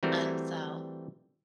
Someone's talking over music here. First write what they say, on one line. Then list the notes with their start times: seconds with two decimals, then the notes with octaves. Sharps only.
And so
0.03 E3 G3 A3 C4 F#4 A#4